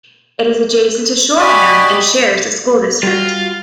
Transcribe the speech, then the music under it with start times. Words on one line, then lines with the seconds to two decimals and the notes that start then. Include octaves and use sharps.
It is adjacent to Shoreham and shares a school district.
1.38 F#4 G4 D5 D#5 G#5 B5
3.03 G3 F4 F#4